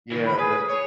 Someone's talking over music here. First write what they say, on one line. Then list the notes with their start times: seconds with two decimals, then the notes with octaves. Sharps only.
Yeah, that's
0.12 D#3 E3
0.26 B5
0.39 G#4 B4
0.70 C#5